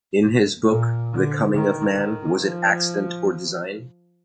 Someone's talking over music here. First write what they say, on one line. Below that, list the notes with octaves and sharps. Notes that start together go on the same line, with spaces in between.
In his book The Coming of Man: Was it Accident or Design?
A#2
D3
D#3
D#3
F3